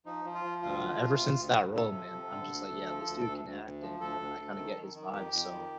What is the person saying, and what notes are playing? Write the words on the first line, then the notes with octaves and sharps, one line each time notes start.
uh, ever since that role, man, I'm just like, yeah, this dude can act and, uh, I kinda get his vibe, so
F3 D#4
F3
F4
F3
D2 F4
F3
C3
D2
D2
D2
C3 A4
F3
C3
D3
D2
D2
F3
D2
D2
D2
D2
F3
D2 A4
D2
D2
D#3
D#3
D#3
F2 G4
F2
D#3